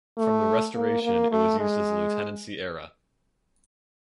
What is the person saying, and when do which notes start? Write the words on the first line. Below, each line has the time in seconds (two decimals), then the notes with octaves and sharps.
From the Restoration it was used as a Lieutenancy area.
0.18 A3
0.74 A#3
1.03 A#3
1.31 A3
1.59 G#3